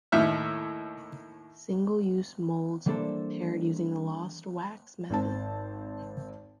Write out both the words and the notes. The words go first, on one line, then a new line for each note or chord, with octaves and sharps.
Single use molds are prepared using the lost wax method.
D#2 A2 E5 F6
E3 G3 A#3 D4 A4 C5
G#1 C4 A5